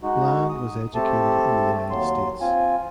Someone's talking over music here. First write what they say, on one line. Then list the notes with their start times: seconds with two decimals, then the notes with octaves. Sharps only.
Bland was educated in the United States.
0.03 G#3 D#4 F#4
0.49 D#6
0.95 A3 C4 G4 A4 A5
1.90 D#2 F#3 C6
2.41 C4 F4 G#5